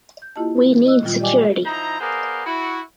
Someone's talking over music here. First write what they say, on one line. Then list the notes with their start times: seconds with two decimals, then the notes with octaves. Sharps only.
We need security.
0.22 G6
0.36 A#3 E4 F4 G4 D#5 A5
0.64 D#3
0.86 D#5 E6 F#6
1.03 A#2 D#3 F#3 G3 F4
1.20 G4 D5 D#5 G5 G#5 D6
1.65 F3 D#4 E4 C5 A#5
2.00 B3 G#4 A#4 C5 D5 F5
2.46 E4 F#4